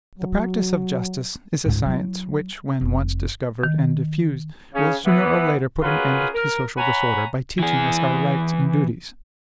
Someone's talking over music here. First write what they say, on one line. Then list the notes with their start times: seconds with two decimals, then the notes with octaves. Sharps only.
The practice of justice is a science which, when once discovered and diffused, will sooner or later put an end to social disorder, by teaching us our rights and duties.
0.18 F#3
1.65 C#2 G#2
1.85 F#3 E4
2.81 F1
3.63 D#3
4.74 C#3 C#4
5.05 E3 B3
5.82 C#4 F4 F#4 G#4 A#4 B4
6.34 A#4
6.77 C#5 F#5 G#5 A#5 B5
7.59 E3 G#4